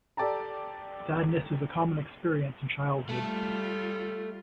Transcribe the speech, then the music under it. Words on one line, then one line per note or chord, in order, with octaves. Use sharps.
Sadness is a common experience in childhood.
G4 A4 D5 G5 A5 A#5
G3 A3 F4 A4